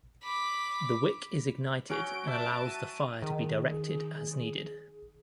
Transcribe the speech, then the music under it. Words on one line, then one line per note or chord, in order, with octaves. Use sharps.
The wick is ignited and allows the fire to be directed as needed.
B5 D6
F#3 C#4 F#4 G6 D7
E5 A5 D6 D7
D#7
D#3 G#4